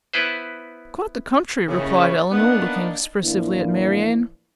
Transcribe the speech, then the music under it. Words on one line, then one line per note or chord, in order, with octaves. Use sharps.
"Quite the contrary," replied Elinor, looking expressively at Marianne.
B3 E4 B4 C5
D#2 A2 C#3 C#4
A#3 B3 D4 D#4
A2 E3 F3 A#3 D4